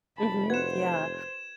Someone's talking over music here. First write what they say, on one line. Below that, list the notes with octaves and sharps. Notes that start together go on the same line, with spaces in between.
Mhm. Yeah.
F1 A5 B5
F#4 B4 C5 F#5 G#6 E7